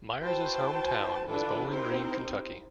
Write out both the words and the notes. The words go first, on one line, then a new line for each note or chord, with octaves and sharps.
Myers' hometown was Bowling Green, Kentucky.
E4 F#4 B4 C5 G5 A5
D3 E3 D4 F4 A4 B4
C4 D#4 E4 G4 A#4 C5